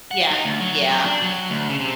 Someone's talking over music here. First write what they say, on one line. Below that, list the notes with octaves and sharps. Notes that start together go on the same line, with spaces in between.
Yeah, yeah.
F#5
D#4
D2
F#3
F#3
D4
F#3
D2
C#3
C3